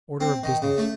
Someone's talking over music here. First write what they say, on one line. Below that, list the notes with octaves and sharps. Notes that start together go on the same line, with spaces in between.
Order of Business.
C4
D#3
C#3
A3